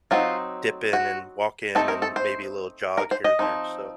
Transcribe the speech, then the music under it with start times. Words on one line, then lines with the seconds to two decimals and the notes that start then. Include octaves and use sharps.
dipping and walking and maybe a little jog here and there, so
0.11 F#3 C4 D#4 F4
0.93 F#4
1.75 A3 C4 D#4 A4
1.88 A#4
2.02 A4
2.16 C5
2.98 A#4
3.11 C5
3.24 D#5
3.39 F3 C4 D#4